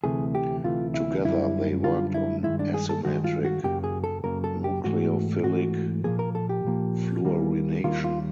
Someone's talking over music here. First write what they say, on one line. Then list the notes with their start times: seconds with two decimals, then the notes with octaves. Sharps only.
Together they worked on asymmetric nucleophilic fluorination.
0.04 D2 C3 E3 A3 G#4
0.35 G4
0.64 D2 C3 E3 A3 F4
0.94 E4
1.24 F#2 D3 G3 E4
1.84 F#2 D3 G3 F4
2.14 E4
2.44 G2 D#3 G#3 E4
2.59 D4
2.74 G#4
2.89 A4
3.05 G2 D#3 G#3 F#4
3.24 F4
3.45 F#4
3.64 F#2 C#3 F#3 A#3 G4
3.84 G#4
4.04 A4
4.24 F#2 C#3 F#3 A#3 A#4
4.44 A4
4.64 G4
4.84 G#2 E3 A3 F#4
5.44 G#2 E3 A3 F#4
6.04 A#2 F3 A#3 G#4
6.19 A#4
6.35 A4
6.49 G4
6.64 A#2 F3 A#3
7.25 D#2 D#3 G3 A#3
7.84 D#2 D#3 G3 A#3 F4
8.04 F4